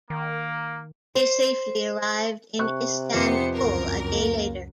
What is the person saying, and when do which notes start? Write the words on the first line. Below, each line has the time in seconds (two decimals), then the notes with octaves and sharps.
They safely arrived in Istanbul a day later.
0.10 D#3 A#3
1.15 C5
2.59 C3 C#6 F#6
3.14 F2 B3 C5 D6 C7 C#7
3.56 C#2 F#2 A#4
4.13 A#3